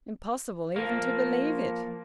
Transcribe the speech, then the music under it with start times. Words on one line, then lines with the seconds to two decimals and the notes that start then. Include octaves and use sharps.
Impossible even to believe it!
0.76 F3 A#3